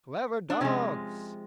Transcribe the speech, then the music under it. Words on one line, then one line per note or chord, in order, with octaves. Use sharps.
Clever dogs!
D4
C3 F3 G#3 C#4